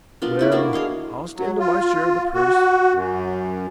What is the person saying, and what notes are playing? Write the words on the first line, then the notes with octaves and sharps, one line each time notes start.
"Well, I'll stan' to my share of the purse."
B3 D4 F4 A#4
A3 E4 D5
A#3 D4 F#4 A#4
G#4 C#5 D#5 F5
F#3
F4
F#4
F#2